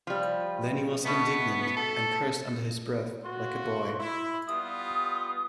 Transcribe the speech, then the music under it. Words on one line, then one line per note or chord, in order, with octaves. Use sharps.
Then he was indignant, and cursed under his breath, like a boy.
F3 G3
B2 A3 B3
A4
F4 F#4 C6
E4
G3 B3 F4 D#6